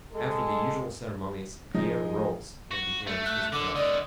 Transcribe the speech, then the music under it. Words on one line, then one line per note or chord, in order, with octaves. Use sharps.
After the usual ceremonies Pierre rose and began his address.
G#3 A4
F3 D#4 G#4 D#5
F#4
A3
F#6
D3 D6
D3 D5 D#5